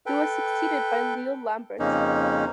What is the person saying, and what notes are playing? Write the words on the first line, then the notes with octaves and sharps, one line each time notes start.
He was succeeded by Leo Lambert.
A4 B4 G5
F2 C#3 A#3 C#4 D#4